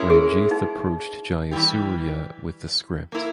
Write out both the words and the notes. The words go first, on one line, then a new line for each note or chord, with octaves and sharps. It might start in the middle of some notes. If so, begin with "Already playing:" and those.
Ranjith approached Jayasurya with the script.
Already playing: G#3 C#4 E4 A#4
G#4
D#4
E3 G3 B3 E4 G4
A#3 E4 A#4